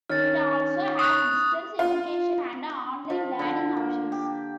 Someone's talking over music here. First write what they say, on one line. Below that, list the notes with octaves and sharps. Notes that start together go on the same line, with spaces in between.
It also has distance education and online learning options.
D#3 C#4 F6 A6
C#6 D#6 F#6 F7
F4
F3
D3
A#3
G4